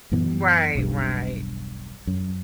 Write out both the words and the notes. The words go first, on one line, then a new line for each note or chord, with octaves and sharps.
Right, right.
F#2 A#2 E3 B3
E1 B1 G2
F#2